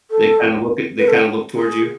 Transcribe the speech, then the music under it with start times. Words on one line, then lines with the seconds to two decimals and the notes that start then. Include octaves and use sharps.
they kinda look at they kinda look towards you
0.11 A4
0.99 B4
1.08 A4
1.56 G#4